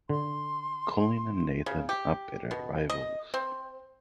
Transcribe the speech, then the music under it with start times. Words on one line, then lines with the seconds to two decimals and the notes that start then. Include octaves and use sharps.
Colin and Nathan are bitter rivals.
0.09 D3 C6
1.66 C#3
1.89 G4
2.51 B2
2.90 D#5
3.34 C4